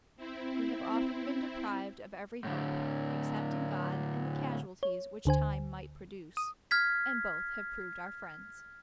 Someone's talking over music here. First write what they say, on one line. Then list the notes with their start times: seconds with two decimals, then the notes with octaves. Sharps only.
We have often been deprived of every hope, except in God and the casualties which time might produce, and both have proved our friends.
0.17 C4 E4
2.44 A2 D3
4.83 C#5
5.25 D2 D3 C5 G#5
6.37 D#6
6.71 F6 G#6 B6